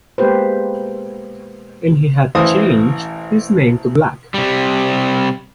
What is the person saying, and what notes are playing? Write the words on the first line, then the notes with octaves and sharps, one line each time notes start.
And he had changed his name to Black.
G#3 A#3 B3 G4 B4 C5
A1 E3 C5 F5 D#6
C3 G3